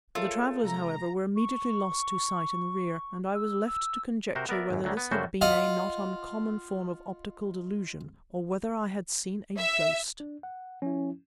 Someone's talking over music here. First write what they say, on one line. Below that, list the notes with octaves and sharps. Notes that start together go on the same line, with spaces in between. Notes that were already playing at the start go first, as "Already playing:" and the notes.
The travellers, however, were immediately lost to sight in the rear, and I was left to conjecture whether this had been a not uncommon form of optical delusion or whether I had seen a ghost.
A3 F4 G#4 A#4 C#5
C3 G#3 A#5
C#6
E6
E6
C3 F#4 A#4 C5
B3 A#4 D5 E5
G#1 F#2
D2 F#3 G3
B3
F#2 C#3 G3 A3 F#4 C5
F4 D#5 F#5
E5
D4
F#5
F3 C#4 E4